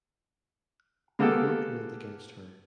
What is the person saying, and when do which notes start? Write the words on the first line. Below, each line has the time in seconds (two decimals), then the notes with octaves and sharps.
The court ruled against her.
1.19 G#3 A#3 B3 G4 A4